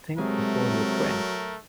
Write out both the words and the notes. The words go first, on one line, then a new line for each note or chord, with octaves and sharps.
Think before you print.
C3 F#3 G#3 A3 A#4